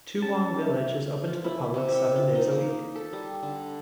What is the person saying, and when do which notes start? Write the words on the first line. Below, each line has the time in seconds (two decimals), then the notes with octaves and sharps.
Toowong Village is open to the public seven days a week.
0.22 C#4 A5
0.61 E5
1.27 F4
1.44 E4
1.74 C3
1.92 E5
2.16 F4
2.35 D#4
2.51 A#3
2.95 A4
3.13 G3
3.43 D3